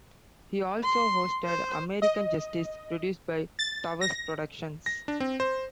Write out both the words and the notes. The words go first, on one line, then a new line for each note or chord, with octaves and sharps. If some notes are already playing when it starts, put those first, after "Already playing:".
He also hosted "American Justice", produced by Towers Productions.
C6
C5
D#5
A6
A#6
A#6
D4
C4
C5